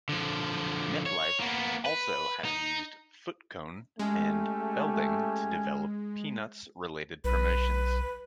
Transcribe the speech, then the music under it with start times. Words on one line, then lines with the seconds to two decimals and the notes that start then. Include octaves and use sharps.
MetLife also has used Foote Cone and Belding to develop Peanuts-related promotions.
0.09 D3 F3
1.06 C#5
1.40 A#3 B3
1.86 B4
2.45 D#4
3.99 G#3 A3 C#4 G4
7.24 B1 B4